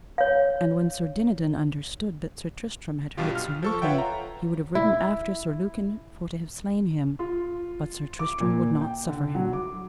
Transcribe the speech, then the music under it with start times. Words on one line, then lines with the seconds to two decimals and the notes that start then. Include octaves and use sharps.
And when Sir Dinadan understood that Sir Tristram had hurt Sir Lucan he would have ridden after Sir Lucan for to have slain him, but Sir Tristram would not suffer him.
0.18 C#5 F5
3.17 B1 G2 B2 F4 G4
3.35 F6
3.63 F3 A4 C#6
3.82 F4 B4 C#5 E5 F#5 G5
3.98 A#5
4.75 E4
7.19 F4
8.19 D6
8.40 A#2
8.81 G5
9.08 D3
9.35 F#3
9.53 D6